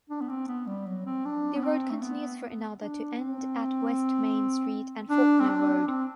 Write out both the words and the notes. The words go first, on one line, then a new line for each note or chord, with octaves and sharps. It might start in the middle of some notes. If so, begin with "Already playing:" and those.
The road continues for another to end at West Main Street and Faulkner Road.
D4
B3
C4
B3
G3
F#3
C4
D4
B3
C4
A3
B3
D4
C4
D4
C4
D4
C4